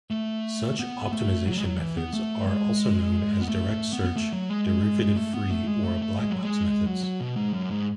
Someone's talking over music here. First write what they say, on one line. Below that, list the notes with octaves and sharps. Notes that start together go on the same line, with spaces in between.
Such optimization methods are also known as direct-search, derivative-free, or black-box methods.
A3
B3
A3
F#3
G#3
F#3
E3
B3
A3
G#3
B3
A3
A3
B3
B3
A3
F#3
G#3
G#3
G#3
G#3
A3
B3
A3
G#3
A3
A3
G#3
F#3
G#3
F#3
F#3
B2
G#2
F#2
G#2